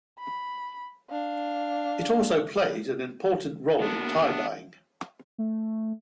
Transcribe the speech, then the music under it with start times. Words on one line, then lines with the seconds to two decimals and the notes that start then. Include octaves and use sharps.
It also played an important role in tie-dyeing.
0.19 B5
1.10 D4 F5
3.80 D3 A#3 B3 D4
5.38 A3